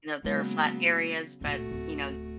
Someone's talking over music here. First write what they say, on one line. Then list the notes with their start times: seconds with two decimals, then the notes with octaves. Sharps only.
you know, there are flat areas, but, you know
0.24 C#3 F#3 G#3 A#3 B3
1.41 D1 A#2 A3 F#4
1.71 D1